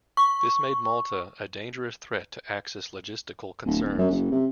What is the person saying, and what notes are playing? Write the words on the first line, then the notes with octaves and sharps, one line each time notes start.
This made Malta a dangerous threat to Axis logistical concerns.
C#6
D1
D1
F#2
F#1
C3